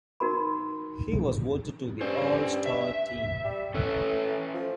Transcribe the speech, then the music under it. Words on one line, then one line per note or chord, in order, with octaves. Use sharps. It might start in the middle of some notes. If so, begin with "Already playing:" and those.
He was voted to the All Star team.
D#4 F#4 A#4 B5
G2 C#4 C5
E5
G3
A2 C#4 A4 B4
F3